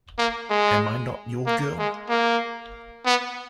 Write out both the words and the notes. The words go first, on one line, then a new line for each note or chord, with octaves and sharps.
Am I Not Your Girl?
A#3
G#3
A#3
G#3
A#3
B3